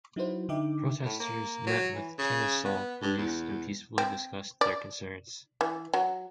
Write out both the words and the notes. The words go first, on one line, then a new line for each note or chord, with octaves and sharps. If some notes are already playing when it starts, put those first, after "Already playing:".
Protesters met with Kennesaw Police and peacefully discussed their concerns.
F#3 D#4 E4 F#4 B4 C5
D3 D#4 E5 G5 D6
A2
A#3
F#3
E3
C#3
B3
G2
E2
C4
D5
E3
F#3